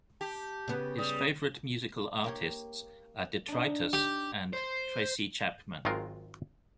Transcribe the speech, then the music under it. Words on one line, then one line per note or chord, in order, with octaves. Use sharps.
His favorite musical artists are Detritus and Tracy Chapman.
G4 A5
C#3 B3
G3 D#6
A#3 G4 C#5
D4 D#4
G4
C5
G#1 D#3 F#3 G#3 F4 A#4